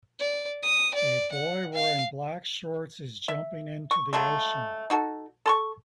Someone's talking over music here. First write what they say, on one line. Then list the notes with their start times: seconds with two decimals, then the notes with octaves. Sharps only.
A boy wearing black shorts is jumping into the ocean.
0.19 D5
0.63 D#6
0.95 D5
1.32 F#5
1.74 F5
3.28 E5
3.91 C#6
4.13 C#3 F#3 G#3 A3
4.90 D#4 F#4 A4
5.46 A4 C6 C#6